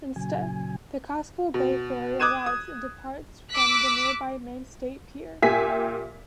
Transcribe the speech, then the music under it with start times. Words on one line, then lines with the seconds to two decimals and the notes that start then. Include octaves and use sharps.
Instead, the Casco Bay Ferry arrives and departs from the nearby Maine State Pier.
0.16 A#2 C#3 F#3 G#5
1.54 B2
2.20 D6 D#6 F#6 G#6 D#7 E7
2.46 D#6
3.50 D6 E6 F#6 B6
5.42 A#2 G4 E5 G#5 B6